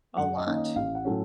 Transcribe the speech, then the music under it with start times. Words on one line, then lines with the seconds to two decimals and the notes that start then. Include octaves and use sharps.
a lot.
0.17 F#2 F#5
0.37 D#5
0.47 D#3 A#3 C#4
0.56 D#5
0.76 A1 F5
0.95 F#5
1.05 A2 F#3 A3 C#4